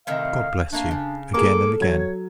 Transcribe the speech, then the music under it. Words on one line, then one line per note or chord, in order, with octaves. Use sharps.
God bless you, again and again!
A2 C3 D#3 F5
A3 A#3 D4 F5
C#3
A#3 G#4 A4 D6
F#3 C#5 G#6